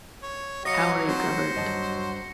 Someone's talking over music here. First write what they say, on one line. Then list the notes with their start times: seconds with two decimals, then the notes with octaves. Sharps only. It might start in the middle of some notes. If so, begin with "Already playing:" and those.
How are you governed?
0.22 C#5
0.65 F#3 C#5 D#5 F5 A#6 C#7
1.08 C4 C5 C#5
1.55 G2 F#3 D#5 A5